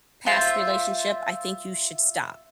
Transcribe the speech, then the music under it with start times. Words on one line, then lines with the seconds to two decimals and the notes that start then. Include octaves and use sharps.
past relationship, I think you should stop
0.26 F4 C5 E5